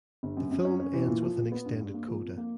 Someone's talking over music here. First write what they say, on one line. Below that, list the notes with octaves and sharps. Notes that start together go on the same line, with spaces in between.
The film ends with an extended coda.
G1
F#2
F#2
C#4
C#4
E3
A#2
F3
A#2
B3
G2
G2
A#3
F3
F2
A#3